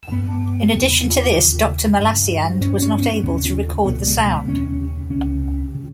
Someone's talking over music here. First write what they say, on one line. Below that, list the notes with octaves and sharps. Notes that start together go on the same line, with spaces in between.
In addition to this, Doctor Mallasseand was not able to record the sound.
G2 B3
E2 C#3
D#2 C#3
G2
G2 C#4
C#4
C#4
B3
D#2 C#3 C#4
C#2 B2 B3
G#3
B3
D#2 C#3 C#4
C#2 C#3 C#4
C#3